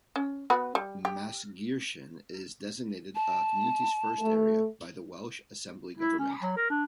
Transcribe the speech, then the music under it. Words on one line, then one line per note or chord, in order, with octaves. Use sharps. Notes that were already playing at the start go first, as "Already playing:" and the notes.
Maesgeirchen is designated a 'Communities First' area by the Welsh Assembly Government.
C#4
B3 F#4 B5
G3
G4
A5
A3
E4
C#4
F#3
A#4
D4